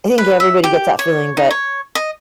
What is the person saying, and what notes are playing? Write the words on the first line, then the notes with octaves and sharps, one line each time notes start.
I think everybody gets that feeling, but
B4
E5
G4
C#5
D#4
C#5
D#5